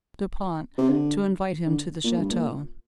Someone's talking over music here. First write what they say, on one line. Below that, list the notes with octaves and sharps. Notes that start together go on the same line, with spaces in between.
Du Pont to invite him to the chateau.
C3
D3
D3
A#2
G2
A#2